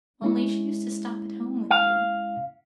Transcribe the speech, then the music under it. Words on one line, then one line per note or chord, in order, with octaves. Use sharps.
Only she used to stop at home with you.'
G#3 C#4 E4
F5